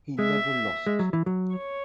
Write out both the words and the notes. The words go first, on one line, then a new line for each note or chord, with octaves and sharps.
He never lost.
G#3 E5
G#3
F#3
E3
F#3
C#5